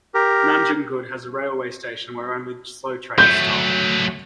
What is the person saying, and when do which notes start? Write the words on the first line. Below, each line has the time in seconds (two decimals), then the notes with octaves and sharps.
Nanjangud has a railway station where only slow trains stop.
0.14 G4 A#4
3.18 F#3 A3 G6